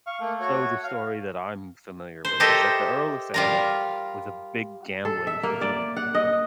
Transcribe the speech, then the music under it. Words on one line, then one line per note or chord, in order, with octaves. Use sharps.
so the story that I'm familiar with is that the Earl of Sandwich was a big gambling fiend.
F5 C#6
A3 A#3
F#4 C#5
F5
C5
G4 A4 A#4 C5 D#5 E5
G3 F4 A#4
A4
E5
A#3
D5
F#5
D#5